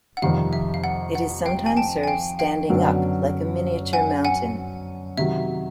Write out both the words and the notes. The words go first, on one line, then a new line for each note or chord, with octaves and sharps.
It is sometimes served standing up like a miniature mountain.
F#5
F2 C3 D#3 G3 F5
E5
F5
F#5
F#5
F5 G5
G#5
G5 A5
G#5
F5 G5
F5 G5
F#2 D3 F#3 B3 D4
F#5 G#5
F#5 G#5
C3 D#3 F#3 E5